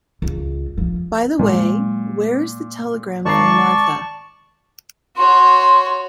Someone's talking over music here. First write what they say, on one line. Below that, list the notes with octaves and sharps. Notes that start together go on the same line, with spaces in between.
By the way, where is the telegram from Marthe?
C#2
F3
A#2 F#3 G#3
G#1 D5 A5 A#5 C#6 C7
F#4 C#5 C6